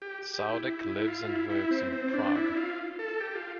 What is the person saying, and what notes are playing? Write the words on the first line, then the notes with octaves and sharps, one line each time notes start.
Saudek lives and works in Prague.
G4
G4
E4
E4
E4
F4
E4
E4
C4
C4
D4
E4
F4
A4
G4
F4